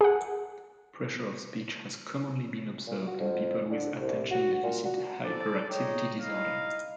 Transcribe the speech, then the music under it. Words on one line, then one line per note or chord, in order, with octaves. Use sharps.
Pressure of speech has commonly been observed in people with attention deficit hyperactivity disorder.
G#4 F#5
A#2
F#4
F2
D3
C2
F#4
A#2
F#4
C4 E4 A4 D5
D#4 G4 G#4 C#5
D#4 E4 D#5 F5